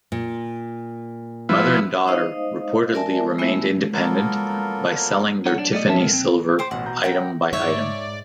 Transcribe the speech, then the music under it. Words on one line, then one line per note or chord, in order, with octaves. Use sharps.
Mother and daughter reportedly remained independent by selling their Tiffany silver item by item.
A#2
F3 B3 E4
D#4 C5 D#5 F5 D#6
A#4 D5 E5 G#5 A5
G#3 A3 B3 E4 E5
F#3 A#3 B3 F4 A4 A#4
D#4 C#5 F#5
D4 D5
G3 A3 D5 D#5
F3 C4 D#4 C#5 E5 A5
G#3 B3 C4 A4 A#4
C4
C5 G5 D6
A1 B2 F#5
B2 A#5 G6
A#4 E5 F#5 G5
G#2 D#4 C#5 D5 E5